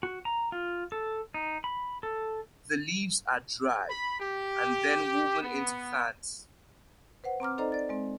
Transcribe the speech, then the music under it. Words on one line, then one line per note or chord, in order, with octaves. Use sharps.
The leaves are dried and then woven into fans.
F#4
A#5
F4
A4
D#4
B5
A4
B5
G4
B3
B4 C5 F#5
C4 A#5 D6 F6
D#4 A4 C5 D5 D#5 A#5
D5 A6
G#3 C4